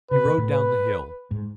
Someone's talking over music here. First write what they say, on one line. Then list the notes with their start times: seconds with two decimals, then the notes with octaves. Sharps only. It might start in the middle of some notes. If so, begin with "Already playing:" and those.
He rode down the hill.
0.11 C#3 B4
0.25 B2
0.38 A2
0.52 B4
1.31 G#2